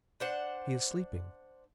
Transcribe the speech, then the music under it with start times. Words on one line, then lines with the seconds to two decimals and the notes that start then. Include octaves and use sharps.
He is sleeping.
0.20 D4 C5 F#5